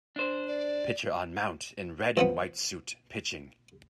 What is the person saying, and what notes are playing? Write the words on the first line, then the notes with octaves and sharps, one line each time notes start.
Pitcher on mount, in red and white suite, pitching.
D4 C5
D5
E3 F3 B3